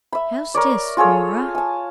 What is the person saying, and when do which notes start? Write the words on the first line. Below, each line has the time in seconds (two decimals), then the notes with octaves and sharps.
"How's this, Norah?"
0.13 E5 B5
0.54 A#4 C#5 D5
0.97 F4 G#4 A4 C#5
1.55 G#5 A5